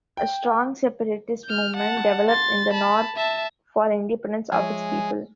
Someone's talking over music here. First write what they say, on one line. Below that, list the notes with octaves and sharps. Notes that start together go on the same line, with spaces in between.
A strong separatist movement developed in the north for independence of its people.
G5
F6 G6
F#5 A5
C6 A6
A5 B5
E5 A5
F3 G#3 C#5 E5 G#5